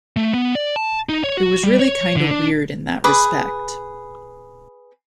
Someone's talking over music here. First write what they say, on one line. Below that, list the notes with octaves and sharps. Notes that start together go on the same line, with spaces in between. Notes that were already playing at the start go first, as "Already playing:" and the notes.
It was really kinda weird in that respect.
A3
B3
D5
A5
D#4
C#5
F#4
G3
C#5
D3
D4
G#4 B4 B5 D6